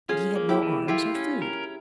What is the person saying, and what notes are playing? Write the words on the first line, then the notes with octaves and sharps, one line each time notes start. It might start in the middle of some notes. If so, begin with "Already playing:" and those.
But he had no arms or food.
C#4 F4 G#4
A#3
E4 G4
E3
E4 F4 G4
C#4
A#4